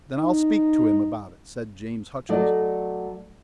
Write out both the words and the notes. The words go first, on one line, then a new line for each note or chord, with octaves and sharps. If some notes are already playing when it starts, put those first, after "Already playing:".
"Then I'll speak to him about it," said James Hutchings.
D#4
F#3 A3 A4 D5 D#5